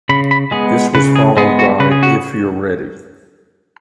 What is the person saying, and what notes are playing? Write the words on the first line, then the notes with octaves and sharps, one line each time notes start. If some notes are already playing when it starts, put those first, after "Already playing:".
This was followed by If You're Ready!
C#3 B5
B5
G#3 B3 G#4
C#3 B4
G#4
G#3 B3 G#4
F#4
C#3 B4
G#4
F#4